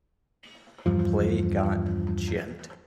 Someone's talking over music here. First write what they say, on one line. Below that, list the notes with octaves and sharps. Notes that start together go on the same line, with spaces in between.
Play Got Djent?
E2 G2 F3